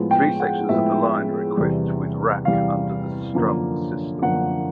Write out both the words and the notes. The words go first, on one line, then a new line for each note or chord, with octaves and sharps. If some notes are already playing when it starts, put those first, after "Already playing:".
Three sections of the line are equipped with rack under the strub system.
Already playing: A2 F3 G#3 B3
G5
F#5
A2 F3 G#3 B3 E5
E2 C3 E3 G3
E2 C3 E3 G3 F5
F#2 D3 F3 A#3
F#2 D3 F3 A#3 F#5